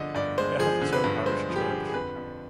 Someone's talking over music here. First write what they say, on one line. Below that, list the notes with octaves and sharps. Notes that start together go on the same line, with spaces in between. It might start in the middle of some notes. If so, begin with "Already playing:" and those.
It has its own parish church.
Already playing: G2 D3 F3 D5 D#5
G2 D5
G#3 C5
F3 G#4
D3
B4
G2
G#3 C5
F3
G4
G#4
D3
G#4
F2 B4
F2